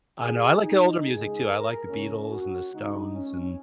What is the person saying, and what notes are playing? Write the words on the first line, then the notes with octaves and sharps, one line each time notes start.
I know. I like the older music too. I like the Beatles and the Stones and,
A#2 A#3 G#4
D#4
C#2 C#3 G#3 G#4
A#4
C#2 C#3 A#3 C#4
F#4
C#2 C#3 G#3 D#4
C#4